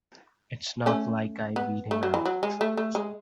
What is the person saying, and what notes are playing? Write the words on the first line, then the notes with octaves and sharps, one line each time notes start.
It's not like I beat him out.
A3 C#4
B3
A3
F#3
E3
F#3
G#3
A3
A3
G#3